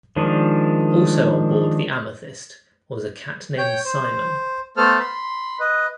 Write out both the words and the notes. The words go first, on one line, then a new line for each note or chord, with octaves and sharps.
Also onboard the "Amethyst" was a cat named Simon.
D#3 F3 G#3 D4
C#5 G5 G6
C5
A3 B3 A4 C5 F6
B5 C6
B4 D#5